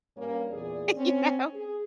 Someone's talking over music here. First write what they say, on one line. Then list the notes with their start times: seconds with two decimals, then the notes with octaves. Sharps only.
You know?
0.16 G2 G3 A#3 C#4
0.51 E2 A#2 G#4 D5
0.95 C4 C#4
1.54 G#4